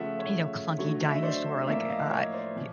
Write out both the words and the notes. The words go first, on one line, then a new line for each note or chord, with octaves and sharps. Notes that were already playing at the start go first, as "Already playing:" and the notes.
you know, clunky dinosaur, like, uh, uh, y
Already playing: C#3 F3 A3 E5 F#5
C#5
D3 F#3 A3 C#5
E5
D#5
C5 D5
A2 F3 A#3 D5 E5
D#5 F5
C#5 D#5
C5 D5
A#2 F3